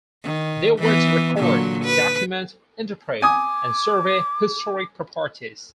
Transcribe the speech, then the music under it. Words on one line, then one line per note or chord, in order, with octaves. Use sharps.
They were to record, document, interpret, and survey historic properties.
D#3
E3 B3
A#2 D3 F#3
B4
G#5 D6 D#6